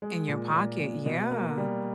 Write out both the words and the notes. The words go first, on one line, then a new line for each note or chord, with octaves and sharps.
In your pocket yeah,
G#3
A#2
A#2
A#2
B2
A#3
G3